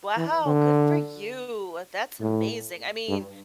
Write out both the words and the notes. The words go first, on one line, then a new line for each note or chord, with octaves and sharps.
Wow, good for you, that's amazing. I mean,
E3
D3
A2
G2